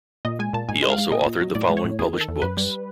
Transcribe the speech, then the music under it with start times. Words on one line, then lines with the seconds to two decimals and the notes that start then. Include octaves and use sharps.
He also authored the following published books.
0.25 A#2 D#5
0.39 G#3 G#5
0.53 A#2 A5
0.69 G#2 G#5
0.82 G#3
0.90 F5
0.98 G#2
1.11 A#2 D#5
1.26 A#2
1.41 F#3
1.55 A2 D5
1.70 G#3
1.77 C#5
1.85 A2
1.99 E2 G#4
2.13 D#3
2.21 A4
2.28 E2
2.42 F#2 B4
2.57 G3